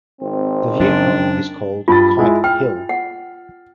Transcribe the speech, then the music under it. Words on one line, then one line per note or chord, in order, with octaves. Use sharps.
The view point is called Kite Hill.
G#1 C4
F#2 C#3 D4
G2 F4 B5 A6
G#3 E4
G5 F6
F#5